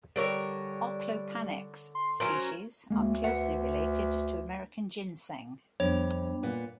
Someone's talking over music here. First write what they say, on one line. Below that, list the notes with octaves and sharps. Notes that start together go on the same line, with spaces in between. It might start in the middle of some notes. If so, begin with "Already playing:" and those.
"Oplopanax" species are closely related to American ginseng.
D3 G3 A#4 C#5
C6
F#3 C#4 A#4 C5
D2 G#3 A#3
B4 E5 F#5
F2 G3 B3 D4 C#5
A#2 B4 F#5